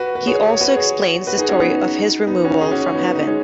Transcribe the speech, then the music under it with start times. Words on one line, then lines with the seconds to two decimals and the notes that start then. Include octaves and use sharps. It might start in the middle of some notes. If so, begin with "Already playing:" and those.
He also explains the story of his removal from heaven.
Already playing: F#4 B4
0.15 B4
0.27 G#4 C#5
0.50 C#5
0.61 F#4 B4
0.76 G#4 C#5
1.27 F#4 B4
1.38 D#4 G#4
1.49 C#4 F#4
1.60 B3 D#4
2.27 B3 D#4
2.44 C#4 F#4
2.61 D#4 G#4
2.71 C#4 F#4
2.94 B3 D#4
3.15 D#4
3.27 G#3 C#4